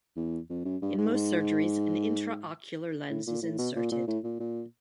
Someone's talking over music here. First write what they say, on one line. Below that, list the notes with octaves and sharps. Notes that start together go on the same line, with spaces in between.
In most surgeries an intraocular lens is inserted.
E2
F2
F#2
G2
G#2
G#2
A2
A#2
A2
B2
A#2
A#2
A2
A#2
A#2